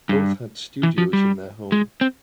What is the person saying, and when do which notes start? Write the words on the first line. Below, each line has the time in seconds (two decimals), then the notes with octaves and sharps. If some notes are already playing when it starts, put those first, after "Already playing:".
Both had studios in their home.
0.09 G2
0.83 E3
0.98 F3
1.13 G3
1.72 G#3
2.01 C4